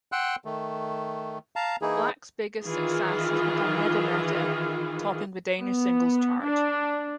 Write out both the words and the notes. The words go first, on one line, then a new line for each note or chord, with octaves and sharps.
Blak's biggest success has become "Nede mette" topping the Danish singles chart.
F#5 G5 C6 E6 F#6
D#3 A3
F5 A5 A#5
E3 A#3 D#4 E4 G#4
D#3 E3 F4 G#4
B3
D4